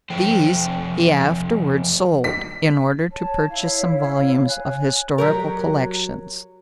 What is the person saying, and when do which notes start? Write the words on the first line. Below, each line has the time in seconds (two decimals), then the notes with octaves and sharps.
These he afterwards sold, in order to purchase some volumes of Historical Collections.
0.10 F2 F3 A3 F4 C5 G5
2.24 B6
3.11 C#5 A5
3.49 E4 F5
4.47 G#5 F#6
5.18 F#3 G4 A#4